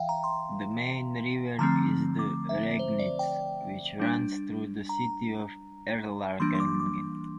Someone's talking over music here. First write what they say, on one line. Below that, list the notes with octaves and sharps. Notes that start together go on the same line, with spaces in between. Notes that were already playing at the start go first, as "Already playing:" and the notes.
The main river is the Regnitz, which runs through the city of Erlangen.
Already playing: E3 E5 F5 G5
A#5
C6
D3 F3 A3 C4 A#5
D6
E5
C5
D5
G5
G3 D4
A#5
E3 G3 A#3 D4 C6
C6
D6
D6